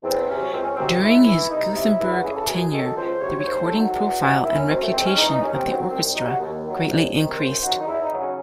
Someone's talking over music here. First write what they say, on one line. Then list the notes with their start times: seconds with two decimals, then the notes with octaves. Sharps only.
During his Gothenburg tenure, the recording profile and reputation of the orchestra greatly increased.
0.04 E2 C4
0.28 C3 F#3 C#4
0.52 C#2 C4
0.64 C#4
0.76 C3 D#3 F#3 C4
0.89 C#4
1.01 G#2 E4
1.26 E3 E4
1.50 C2 D#4
1.74 C3 F#3 E4
1.99 E2 E4
2.12 F#4
2.23 C#3 E3 G#4
2.36 A4
2.47 F#2 G#4
2.72 D#3 F#3 A4
2.96 C#2 C5
3.21 C3 F#3 C#5
3.39 C#5
3.45 D#2 C5
3.62 A4
3.70 D#3 F#3
3.79 F#4
3.95 E2
4.19 C3 D#3 F#3
4.43 D#2 E4
4.56 C#4
4.68 D#3 F#3 C4
4.81 A3
4.92 G#2 C4
5.06 C#4
5.17 E3 D#4
5.30 D#4
5.42 D#2 C#4
5.55 C4
5.66 D#3 F#3 C4
5.78 C4
5.90 C2 C4
6.15 C3 F#3 D#4
6.28 F#4
6.40 D#2
6.65 D#3 F#3
6.88 C2
7.14 C3 D#3
7.38 F#2 C5
7.62 D#3 F#3 F#4
7.80 D#4
7.87 E2 E4
8.02 D#4
8.12 C#3 F#3
8.19 C#4